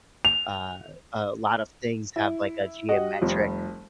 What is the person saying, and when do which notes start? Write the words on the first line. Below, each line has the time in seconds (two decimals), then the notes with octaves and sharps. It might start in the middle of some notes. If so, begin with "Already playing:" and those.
uh, a lot of things have like a geometric,
0.25 F7
2.16 E4
2.88 F#4 G4 D#5 F#5
3.21 F1 F3 G3